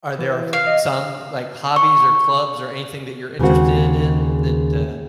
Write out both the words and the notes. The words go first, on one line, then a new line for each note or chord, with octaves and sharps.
Are there s some, like, hobbies or clubs or anything that you're interested in that, uh
E3
F5
D#5
C#6
D#2 C#3 G#3 A#3 C4 F#4